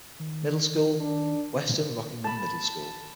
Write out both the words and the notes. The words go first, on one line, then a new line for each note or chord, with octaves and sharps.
Middle School: Western Rockingham Middle School.
D#3
D4
A5 B5